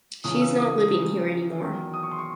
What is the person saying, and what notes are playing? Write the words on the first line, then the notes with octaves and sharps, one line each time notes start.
She’s not living here anymore.
C#2 C#3 E3 D#6
E6
D#6
D#6
D#6
E2 D#3 F#3
D#6
C#6
C6
C#6